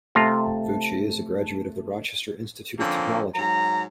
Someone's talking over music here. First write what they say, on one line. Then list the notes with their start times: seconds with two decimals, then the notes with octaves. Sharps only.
Vucci is a graduate of the Rochester Institute of Technology.
0.15 C3 A3 F4 A5 A#5
2.78 D3 F3 A#3 C4 C#4
3.34 G#2 F#3 A#5